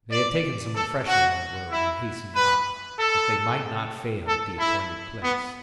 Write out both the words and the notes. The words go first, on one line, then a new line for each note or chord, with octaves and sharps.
They had taken some refreshment on the road and hastened on, that they might not fail at the appointed place.
D5
A4
F#4
E4
B4
A4
A4
E4
B3